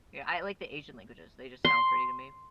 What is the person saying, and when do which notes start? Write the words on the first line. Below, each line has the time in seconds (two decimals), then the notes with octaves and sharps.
Yeah, I like the Asian languages, they just sound pretty to me.
1.65 C6